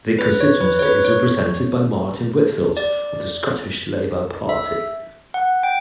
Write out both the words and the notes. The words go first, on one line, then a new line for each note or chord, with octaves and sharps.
The constituency is represented by Martin Whitfield of the Scottish Labour Party.
B4
C#5
B4
C#5
B4
C#5
D5
E5
F#5
G5